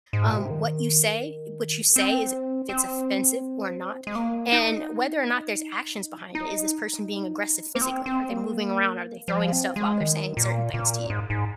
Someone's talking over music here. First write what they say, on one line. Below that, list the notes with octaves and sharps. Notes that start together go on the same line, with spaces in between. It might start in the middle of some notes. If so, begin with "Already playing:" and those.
um, what you say what you say is if it's offensive or not, and whether or not there's actions behind it. Is this person being aggressive physically? Are they moving around? Are they throwing stuff while they're saying certain things to you?
G#2
A#2
C3
D#3
C4
C4
G#3
A#3
D#4
D#4
A#3
C4
C4
A#3
F3
C4
G#3
D#3
A#2
A#2
G#2
G#2